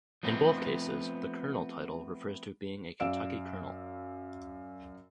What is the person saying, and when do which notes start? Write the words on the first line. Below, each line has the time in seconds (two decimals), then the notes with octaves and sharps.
In both cases, the "Colonel" title refers to being a Kentucky colonel.
0.23 F3 A3 B3 C4
3.00 F#2 D5 F5 E6 D7 E7